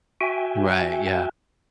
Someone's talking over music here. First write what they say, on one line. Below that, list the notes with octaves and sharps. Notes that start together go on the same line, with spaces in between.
Right, yeah.
F#4 E5 G5 G#5